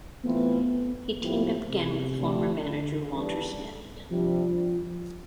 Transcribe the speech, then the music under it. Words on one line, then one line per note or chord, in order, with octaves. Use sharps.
He teamed up again with former manager Walter Smith.
E3 A3 B3 C4 F4 B4
A2 F3 A3 B3 E4 G4
C3
D3 A3 D4 G4
D3
E3 G3 B3 D4 A4
C3 F3 G3 D4